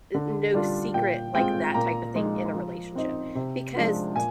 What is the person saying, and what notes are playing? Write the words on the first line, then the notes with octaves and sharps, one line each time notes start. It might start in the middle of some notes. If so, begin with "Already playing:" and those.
uh, no secret like that type of thing in a relationship, because t
D3
G3 D4 F4
A#2 G5
G#3 C4 F4 G5
A#2 A#5
F3 G#3 D#4
F3
C4 D#4
C3
F3 G#3 D4 F4
A#2 G#5